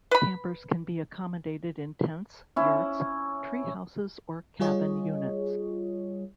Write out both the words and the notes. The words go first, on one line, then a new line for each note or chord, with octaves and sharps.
Campers can be accommodated in tents, yurts, tree houses or cabin units.
B4 B5
C#4 E4
G3 F4 G#4 C#5 D#5